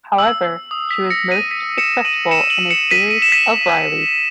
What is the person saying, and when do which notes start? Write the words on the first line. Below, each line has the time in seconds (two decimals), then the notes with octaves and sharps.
However, she was most successful in a series of Rileys.
0.18 E6
0.44 E6
0.71 D#6
0.91 B6
1.10 A#6 C#7
1.31 B6 D#7
1.51 B6 D#7
1.78 C#7 E7
2.05 D#7 F#7
2.31 C#7 E7
2.50 D#7 F#7
2.71 C#7 E7
2.91 B6 D#7
3.10 D#7
3.22 E7
3.32 B6 D#7